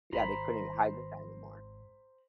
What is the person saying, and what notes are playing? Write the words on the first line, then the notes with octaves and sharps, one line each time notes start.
Yeah, they couldn't hide this guy anymore.
G#1 C5 A#5 B5